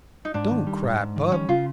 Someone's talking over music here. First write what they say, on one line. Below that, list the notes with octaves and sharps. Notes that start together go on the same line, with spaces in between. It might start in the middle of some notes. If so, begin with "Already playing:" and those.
Don't cry, bub.
D#4
G#2 D4
D#3
G3
G#2
G#2
D#3
G3 C#4
C#3 F4